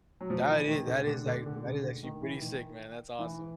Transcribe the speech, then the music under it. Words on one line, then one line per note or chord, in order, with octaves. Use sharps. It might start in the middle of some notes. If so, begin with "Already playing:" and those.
That is that is a that is actually pretty sick, man, that's awesome,
F#3
F3
E3
D#3
D3
D3
D3
D3
D3
C#3
D3
D#3
E3
D#3
E3